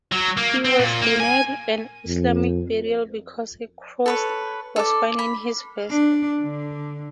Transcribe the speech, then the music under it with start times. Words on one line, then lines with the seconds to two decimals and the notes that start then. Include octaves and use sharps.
He was denied an Islamic burial because a cross was found in his vest.
0.12 F#3
0.37 A#3
0.65 C4
0.79 A#2
1.01 A#3
1.20 G#5
2.07 F2
4.06 A4 B4 C#5
4.76 A4 D5
5.19 B5
5.91 D4
6.42 D3